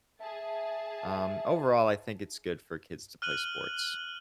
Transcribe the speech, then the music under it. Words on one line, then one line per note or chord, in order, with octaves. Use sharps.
um, overall I think it's good for kids to play sports.
G#4 E5 A5
F6 F#6 D#7 F#7 G7